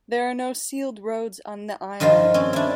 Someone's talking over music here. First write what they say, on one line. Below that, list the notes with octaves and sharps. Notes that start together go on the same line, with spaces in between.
There are no sealed roads on the island.
G2 D#3 F3 F4 C5
C4 C#4
D4 E4